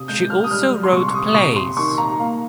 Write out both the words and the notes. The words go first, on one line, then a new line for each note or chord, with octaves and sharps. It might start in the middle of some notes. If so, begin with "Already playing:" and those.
She also wrote plays.
Already playing: C3 D#6
G#3 G6
F6
D#6
G3 F6
C6
C3 C#6
C#6
D#6
D#6
C3 C#6
C6
D#3 C#6
A#5
A#3 F5